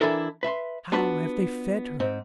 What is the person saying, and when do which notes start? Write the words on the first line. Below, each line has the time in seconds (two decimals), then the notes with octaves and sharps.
How have they fed her?
0.01 E3 F3 D4 E4 A4 A#4
0.43 B4 E5 B5 C6
0.92 B3 D4 F4 F#4 B4
2.00 G#2 C4